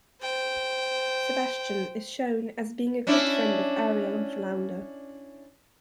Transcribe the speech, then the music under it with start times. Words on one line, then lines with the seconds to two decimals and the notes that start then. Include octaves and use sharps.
Sebastian is shown as being a good friend of Ariel and Flounder.
0.22 C5 G5
3.07 C#4 D4 E4